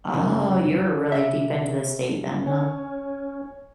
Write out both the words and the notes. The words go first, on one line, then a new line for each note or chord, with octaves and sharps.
Oh, you're really deep into the state then, huh?
C2 F#2 C#3
C3 E5
C#4 C#5 G#5